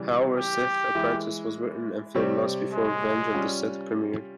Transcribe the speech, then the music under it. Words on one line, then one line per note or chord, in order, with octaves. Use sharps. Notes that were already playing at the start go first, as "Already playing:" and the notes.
However, "Sith Apprentice" was written and filmed months before "Revenge of the Sith" premiered.
Already playing: C#3 E3 G3
G4
E3 G#3 E4
C3 G3 C4 G4 C#5
G#3
G3 C#4 F4